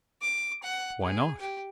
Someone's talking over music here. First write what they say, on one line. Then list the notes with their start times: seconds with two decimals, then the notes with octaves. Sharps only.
"Why not?"
0.22 D6
0.63 F#5
1.01 G#4
1.40 G4